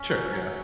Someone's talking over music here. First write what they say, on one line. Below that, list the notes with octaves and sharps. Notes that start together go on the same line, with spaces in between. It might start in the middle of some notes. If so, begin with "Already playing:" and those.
Sure, yeah.
Already playing: C#4
F#3
F#3